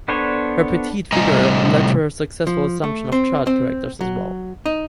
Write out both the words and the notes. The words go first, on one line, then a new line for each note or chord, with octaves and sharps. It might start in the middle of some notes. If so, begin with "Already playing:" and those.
Her petite figure led to her successful assumption of child characters as well.
B3 D4 A4 C5 C#5
A2 C3 G3 D#5 G#5 A#5
F3
A3
C4
C4
F#3
D#4